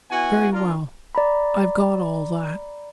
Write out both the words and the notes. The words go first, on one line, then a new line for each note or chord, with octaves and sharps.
Very well--I've got all that.
B3 E4 F#4 F#5 G#5
D4 F4 A#4
D5 A#5 B5